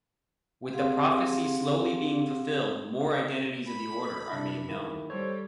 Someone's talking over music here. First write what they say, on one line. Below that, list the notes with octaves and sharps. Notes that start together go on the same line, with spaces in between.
With the prophecy slowly being fulfilled, more identities of the Order are made known.
C4 G4 G#4 F5 F#5 C6
B5
C3 D4 E4
D#3 E4
G3 A4 C5 C#5